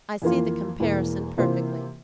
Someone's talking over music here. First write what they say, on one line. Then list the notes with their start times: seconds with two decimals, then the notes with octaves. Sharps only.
I see the comparison perfectly.
0.22 F2 E3 A#3 F4
0.80 E1 E2 E3 A#3
1.37 C3 E3 A#3 F4 C5